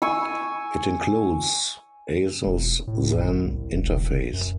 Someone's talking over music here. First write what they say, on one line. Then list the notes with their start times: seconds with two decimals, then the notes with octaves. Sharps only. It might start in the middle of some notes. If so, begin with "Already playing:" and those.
It includes Asus Zen interface.
0.02 G#5 C#6 E6
2.46 E1
2.87 A2
3.16 G1
3.45 C2
3.72 E1
4.33 F#2